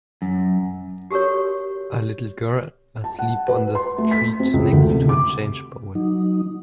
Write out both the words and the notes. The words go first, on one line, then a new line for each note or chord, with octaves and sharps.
A little girl asleep on the street next to a change bowl.
F#2
F#4 G4 A4 A#4 C#5
A5
F#5
B4
C6
A3
B6
C4
C#2
D2
C3
D6
F#3 D#4